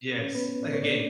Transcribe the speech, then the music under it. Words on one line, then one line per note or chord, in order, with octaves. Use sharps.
Yes, like a game.
B4
A2 C#4 C#5
B3 B4
A2
D5
A2 C#5
D4 D5